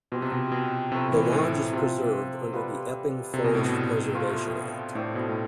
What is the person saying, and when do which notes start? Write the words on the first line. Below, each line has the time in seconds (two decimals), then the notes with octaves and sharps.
The lodge is preserved under the Epping Forest Preservation Act.
0.12 B2 F3 C4 G4
0.22 C3
0.32 B2
0.52 B2
0.92 C3 F3 A3 C4 E4
1.12 E3
1.32 A2
1.73 C3 F3 C4 F4
2.53 G3 B3 F4
3.33 C3 G3 D4 A4
3.44 B2
3.55 A2
3.65 B2
4.14 A3 C4 F4
4.95 A2 D4 A4 C5
5.15 B2
5.29 A2